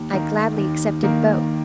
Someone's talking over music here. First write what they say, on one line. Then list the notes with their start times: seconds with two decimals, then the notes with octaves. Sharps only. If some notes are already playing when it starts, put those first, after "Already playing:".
I gladly accepted both.
Already playing: D#2
0.13 D#3 A#3
0.58 D#2
1.03 D#3 A#3